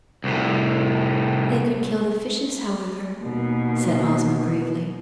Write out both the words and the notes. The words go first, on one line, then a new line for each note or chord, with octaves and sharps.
"They could kill the fishes, however," said Ozma gravely.
C2 A2
D#2 B2